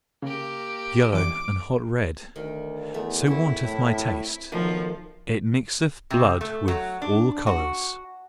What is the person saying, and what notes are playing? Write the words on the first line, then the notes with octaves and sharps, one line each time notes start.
Deep yellow and hot red--so wanteth MY taste--it mixeth blood with all colours.
C#3 A#3 G4
E3 G3 D6
D2 D#3
E2 A3
C4 E4 C#5
A2
B1 D#3 F3 A3
C3
A3
F#3
D4
F#4